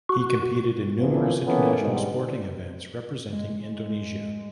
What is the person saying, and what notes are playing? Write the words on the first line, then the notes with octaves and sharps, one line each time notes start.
He competed in numerous international sporting events representing Indonesia.
F#4
A1 A#2 E3 F3 B3
E3 A#3 B3 C#4 A4
G#2 B2 D3 G3 G#3
G#3